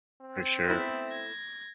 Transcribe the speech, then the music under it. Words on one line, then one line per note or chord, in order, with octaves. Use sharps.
For sure.
C4
A3 B3 E4 B5
G#6 A#6